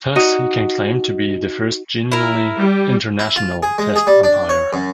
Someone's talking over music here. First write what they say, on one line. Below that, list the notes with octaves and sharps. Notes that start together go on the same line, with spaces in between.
Thus he can claim to be the first genuinely "international" Test umpire.
D#4 F#4 D#5
E4 A#4
G3
E4
F4
G#4
G#3
G#4
G3
D4
C#5
F#2